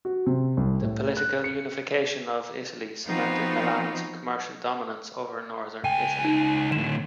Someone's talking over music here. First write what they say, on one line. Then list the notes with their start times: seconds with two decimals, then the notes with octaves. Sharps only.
The political unification of Italy cemented Milan's commercial dominance over northern Italy.
0.05 F#4
0.26 C3
0.57 C2
0.82 A2
1.17 F#6
1.44 C#7
3.06 F3 B3 C4 D#4 F4 F#4
5.84 C#2 G5 G#5
6.25 D#4
6.72 A2 D3 E7